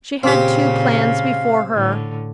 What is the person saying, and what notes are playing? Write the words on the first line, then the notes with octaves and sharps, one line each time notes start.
She had two plans before her.
A#2 C#3 C4 G4 F5
A2 D3